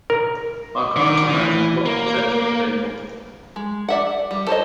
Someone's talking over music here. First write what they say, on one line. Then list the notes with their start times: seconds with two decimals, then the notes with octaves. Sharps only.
I can't imagine what possesses people.
0.10 A#4
0.96 D#3
1.29 E3
1.86 A#3
3.56 G#3
3.89 D5 E5 F#5
4.31 G3
4.47 A4 C5 C#5 D#5